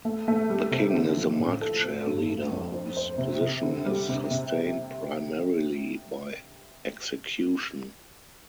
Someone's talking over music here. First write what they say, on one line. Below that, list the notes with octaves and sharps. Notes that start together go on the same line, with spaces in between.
The king is the market share leader whose position is sustained primarily by execution.
A3
A3
G3
C3
D3
F3
A2
A4
C4
G2
A3
F2
C5
C5
C3
C3
D3
G3
C3
C3